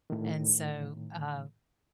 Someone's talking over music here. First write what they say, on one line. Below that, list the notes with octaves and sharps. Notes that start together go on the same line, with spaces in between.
And so, uh,
A2 D#3